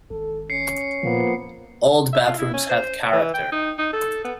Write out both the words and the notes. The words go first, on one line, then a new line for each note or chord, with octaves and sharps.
Old bathrooms had character.
G#1 A4
C#4 C7 C#7
A#2 F3 A#3 B3
E5
F4
E4
C#4
C5
E3
G5
D#4
D#4
A4
B3